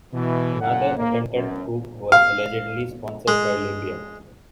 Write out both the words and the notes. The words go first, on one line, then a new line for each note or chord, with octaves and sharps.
Another attempted coup was allegedly sponsored by Libya.
B2 E3
F#1 A#2 F#5
A#3
F#2
F5
G#3